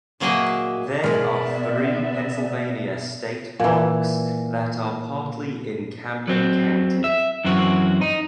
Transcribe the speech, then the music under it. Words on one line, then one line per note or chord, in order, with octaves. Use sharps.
There are three Pennsylvania state parks that are partly in Cameron County.
A#2 F#3 A#3 G#4 D#5 E5
B2 G#3 B3 A#4 B4 D5 E5
A#2 E3
F#3 C4
E5
F#2 E3 C4 F#4
D#4